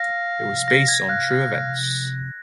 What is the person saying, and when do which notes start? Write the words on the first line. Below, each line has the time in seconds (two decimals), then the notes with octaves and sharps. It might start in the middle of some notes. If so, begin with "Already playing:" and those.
It was based on true events.
Already playing: F5 A#6
0.68 A#6
0.88 G#6
1.09 F5 F#6